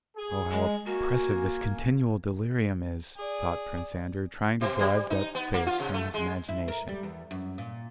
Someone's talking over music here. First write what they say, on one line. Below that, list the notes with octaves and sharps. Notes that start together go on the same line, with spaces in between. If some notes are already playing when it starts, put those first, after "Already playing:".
"Oh, how oppressive this continual delirium is," thought Prince Andrew, trying to drive that face from his imagination.
G#4
G#3
A#3 F#4 G#5
G#4 D5
B2
G3
D#4
B3
A#3
F4
C3
A3
G#3
E4
A#4
G3
E2
F#2
A#2